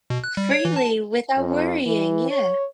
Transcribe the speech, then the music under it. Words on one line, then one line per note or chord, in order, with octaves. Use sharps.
freely without worrying, yeah.
B2
F#6
G3
C#5
E3
A5
F2
E3
C#5